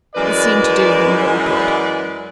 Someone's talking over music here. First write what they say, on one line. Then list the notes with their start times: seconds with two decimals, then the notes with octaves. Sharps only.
This seemed to do him little good.
0.15 F#2 E3 G#3 B4 D5
1.41 B4 D5